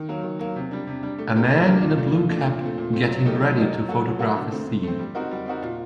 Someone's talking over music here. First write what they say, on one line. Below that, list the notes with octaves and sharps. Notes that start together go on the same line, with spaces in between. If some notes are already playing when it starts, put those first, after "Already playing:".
A man in a blue cap getting ready to photograph a scene.
Already playing: D#3
F#3 A#3
D#3
F#3 A#3
C3
G3 D4
C3
G3 D4
A3
D4 G4 A#4
A3
D4 G4 A#4
A#2
A3 D4
A#2
A3 D4
A#2
A3 C4
A#2
A3 C4
F#3
A3 D#4 G4 A#4
F#3
A3 D#4 G4 A#4
F#3
A#3 F#4 A4
F#3
A#3 F#4 A4
D3
A3 C4
D3
A3 C4
G3
C4 D#4 F#4 A#4
G3
C4 D#4 F#4 A#4
A#2